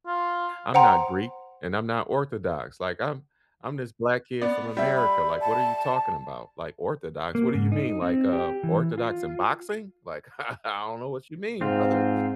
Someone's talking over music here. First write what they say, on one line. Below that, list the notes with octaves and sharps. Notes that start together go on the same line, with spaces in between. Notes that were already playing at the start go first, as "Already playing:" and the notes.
"I'm not Greek, and I'm not Orthodox. Like, I'm I'm this Black kid from America, like, what are you talking about? Like, Orthodox, what do you mean, like, uh, Orthodox in boxing? Like, I don't know what you mean, brother."
F4
C5 F#5 G5 A#5 C6
B3 D5
G3 E5
B5
A5
A#3
G#2
D#4
C4
G4
E3
F4
G#2 C4 F4